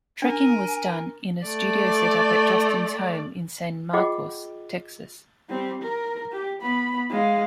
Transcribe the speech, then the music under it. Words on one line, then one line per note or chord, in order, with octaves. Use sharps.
Tracking was done in a studio setup at Justin's home in San Marcos, Texas.
D4 A#4 G#5
A3 D5
F4 G#4 D#5 F#5 G5 D6
G3 C4
A#4
G4
B3 B5
G#3 F5